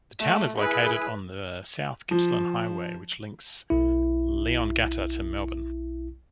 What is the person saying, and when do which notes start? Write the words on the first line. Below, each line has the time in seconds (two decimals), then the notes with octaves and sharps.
The town is located on the South Gippsland Highway which links Leongatha to Melbourne.
0.20 A3
0.58 E4 G#4 B4
2.11 F3
3.70 B1 E4